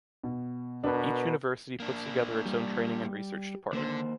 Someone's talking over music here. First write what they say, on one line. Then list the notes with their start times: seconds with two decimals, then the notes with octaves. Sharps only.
Each university puts together its own training and research department.
0.23 B2
0.84 B2 D4 A#4 B4
1.80 A#3 D4
2.46 G3
3.73 D#2 D3 A#3 C5